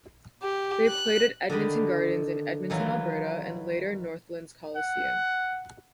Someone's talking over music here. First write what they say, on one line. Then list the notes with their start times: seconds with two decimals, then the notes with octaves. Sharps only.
They played at Edmonton Gardens in Edmonton, Alberta, and later Northlands Coliseum.
0.42 G4
0.87 F#6
1.50 D3 D#3 D#5 B5
2.70 D#3 E3 F#3 F4
4.76 F#5